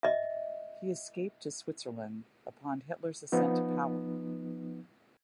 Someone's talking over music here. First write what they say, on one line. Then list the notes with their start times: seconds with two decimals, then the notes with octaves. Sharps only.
He escaped to Switzerland upon Hitler's ascent to power.
0.03 D#5 E5
3.32 F3 B3 D#4